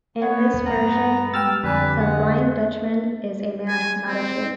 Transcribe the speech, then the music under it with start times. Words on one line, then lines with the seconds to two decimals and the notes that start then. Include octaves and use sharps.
In this version, the Flying Dutchman is a man, not a ship.
0.22 B3 C#5 F#5
0.66 G2 A3 F#5 A#5
1.34 G3 G#3 G5 E6 F6 A6
1.64 F2 D3 G3 G4 B4 G#5
2.00 G#3 F#5
3.68 G#5
4.06 C4